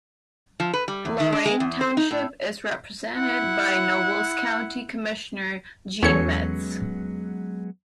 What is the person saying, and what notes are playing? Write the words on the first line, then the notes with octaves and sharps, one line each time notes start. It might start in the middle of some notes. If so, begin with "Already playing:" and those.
Lorain Township is represented by Nobles County Commissioner Gene Metz.
F3
B4
G3
E2
D#3
D4
G#3
E2
C5
D#4
A2
E4 F#5
E2 F#3 G#3 B3 C#4 A4 C#5 C#7